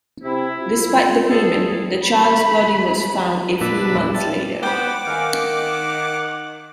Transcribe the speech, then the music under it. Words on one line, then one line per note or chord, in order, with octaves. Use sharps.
Despite the payment, the child's body was found a few months later.
C3 E4
F4
G#4 A4
B5
A#2 D4 B4 E5
B2
E2 A#2 E4
G3 A4
B3 C5 F#5 G5 B5 D6
D#3 F5 G#5